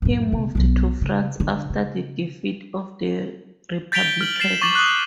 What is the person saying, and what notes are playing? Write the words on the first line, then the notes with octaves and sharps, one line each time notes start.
He moved to France after the defeat of the Republicans.
F#2 A2
B1 C#3
B1 F#3
C#3
D3
C#3
G6 A6 B6 D7 F7 G7
F6 F#7 G7
A6 C7 E7
C#6 D6 A6 F#7
D#6 F#6